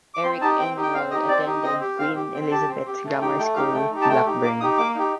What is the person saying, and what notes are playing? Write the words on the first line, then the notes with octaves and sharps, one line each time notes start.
Eric and Roy attended Queen Elizabeths Grammar School, Blackburn.
D6
C4 C6
D#4 G4 A5
C4 G5
D#4 G4
G5
C4 F5
D#4 G4 D#5
C4 D5
D#4 G4
C4 D#5
G4
C4 F5
G4
C4 G5
G4 A5
C4
G4
A3
D#4 G4 G5
A3 G5
D#4 G4 F5
A3 G5
D#4 G4
A5
A3 G5
D#4 G4
A#3 D6
D#4 G4 D#6
A#3 D6
D#4 G4